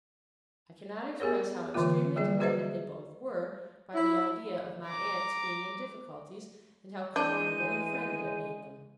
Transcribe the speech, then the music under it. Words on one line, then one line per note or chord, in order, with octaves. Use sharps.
I cannot express how extremely delighted they both were, by the idea of my aunt's being in difficulties; and how comfortable and friendly it made them.
B3 G4 G#4 A#4 C#5
D3 E3 G#3 A#3 F4
F#3 G3 A#3 G#4 D5
F#4 G#4 B4 C5 D#5 E5
E4
A#5 D6
E3 G#3 D4 G6 D#7